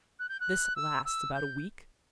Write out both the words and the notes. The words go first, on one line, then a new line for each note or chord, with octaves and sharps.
This lasts about a week.
F#6
G6
F#6
E6
E6
G6